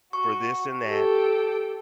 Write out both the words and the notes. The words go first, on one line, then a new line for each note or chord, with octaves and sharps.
for this and that,
F#4 C#6
G4 A4 G5